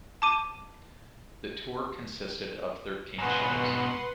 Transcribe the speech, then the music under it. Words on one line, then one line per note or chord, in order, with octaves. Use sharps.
The tour consisted of thirteen shows.
A5 D6 D#7
G#2 B2 B4 F#5 C6